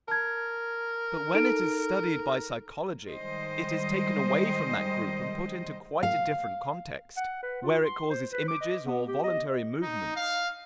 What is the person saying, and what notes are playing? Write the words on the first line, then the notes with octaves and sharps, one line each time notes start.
But when it is studied by psychology, it is taken away from that group and put into quite a different context, where it causes images or voluntary movements.
A#4 A5 G#6
D#4 A4 D7
D#3 G3 G#3 C5 D#5
F5
F#5
B4
F4
C6
C5
B4
D6
D#5
B3
G4
D#5
D#4
F5